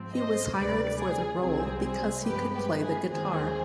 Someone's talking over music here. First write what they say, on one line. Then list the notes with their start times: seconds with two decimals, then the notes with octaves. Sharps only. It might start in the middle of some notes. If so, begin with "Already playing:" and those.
He was hired for the role because he could play the guitar.
Already playing: G#2 F3 C4
0.13 C5 D#5
0.55 D2 C3 G3 B4 D5
0.98 G#4
1.40 C2 C3 G3 C4 G#4
1.82 G#4 C5
2.24 G2 F3 G#3 B3 G4 B4
2.52 G4 B4
2.81 G#4
3.08 D#2 D#3 G#3 C4 G#4 C5